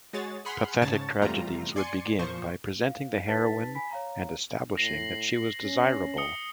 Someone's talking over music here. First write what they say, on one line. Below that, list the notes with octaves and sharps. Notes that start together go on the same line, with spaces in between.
Pathetic tragedies would begin by presenting the heroine and establishing that she was desirable.
G#3 F#4 G#4 C#5 A6
G#4 F#5 B5 C6 F6
G#2 C#3 C#5 A5 A6
E2 C3 G3 A3 F4 A#5
D5 G#5 C6 C#7
A#2 F3 C5 C#6
F5
D#4 B4 A5 A6 B6
G#5 B5 B6
C#5 F5 A#5
A2 A#6 C7 F#7
C#4
D#6 C#7 G7